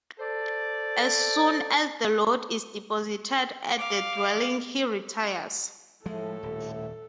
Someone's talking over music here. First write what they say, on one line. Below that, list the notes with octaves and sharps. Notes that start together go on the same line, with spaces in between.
As soon as the load is deposited at the dwelling, he retires.
A4 C5 D5
F5 D6
A2 F3 G#3 A3 A4
D#1